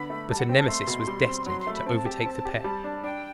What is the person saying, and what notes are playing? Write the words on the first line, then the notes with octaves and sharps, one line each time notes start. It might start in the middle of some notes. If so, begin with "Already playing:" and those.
But a nemesis was destined to overtake the pair.
Already playing: D3 B3 B5
A3
G3 A5
F#5
C4 G5
A5
A3 C6
B2
G3
C4
F#3 C6
C6
A3
B5
C4 A5
G4
C4
G4
G3
D4
D4 G5